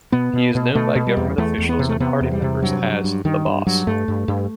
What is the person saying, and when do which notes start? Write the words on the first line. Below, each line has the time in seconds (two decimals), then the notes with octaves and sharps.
He is known by government officials and party members as "the Boss".
0.12 B2 B3
0.33 B2
0.55 B2
0.75 B2 A3
0.96 B2
1.07 G3
1.17 E2
1.38 E2 A3
1.58 E2
1.69 B3
1.79 C3
1.89 A3
2.00 C3 B3
2.21 E2
2.31 G3
2.42 C3
2.63 G2 F#3
2.83 G2
3.04 G2
3.25 G2 D#3
3.46 G2
3.67 G2 F#3
3.87 G2 A3
4.08 G2
4.28 G2